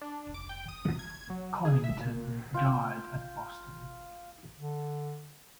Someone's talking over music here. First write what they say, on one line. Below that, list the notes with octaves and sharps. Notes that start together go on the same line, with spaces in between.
Conington died at Boston.
D4
D6
G5
D#6
G#6
F#3
G#4
E5
A#2
F4 G5
D3